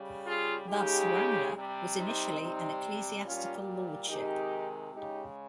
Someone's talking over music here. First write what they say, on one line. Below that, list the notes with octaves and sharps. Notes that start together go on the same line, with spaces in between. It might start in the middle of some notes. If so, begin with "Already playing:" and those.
Thus, Ramla was initially an ecclesiastical lordship.
Already playing: C#3 G3
F4 G#4
C#3 G#3 D#4 G4
C3 G3
C4 D#4
C3 G3
A#2 G3 C#4 F4
C3 D#3 G#3 D#4 G4
C#3 G#3 D#4 G4